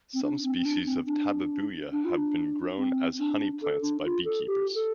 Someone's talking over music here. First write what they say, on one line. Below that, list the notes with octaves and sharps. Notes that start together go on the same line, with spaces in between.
Some species of "Tabebuia" have been grown as honey plants by beekeepers.
C4
D4
C4
C4
D4
C4
D4
D4
F4
D4
C4
D4
A4
D4
F4
A4
G4
A4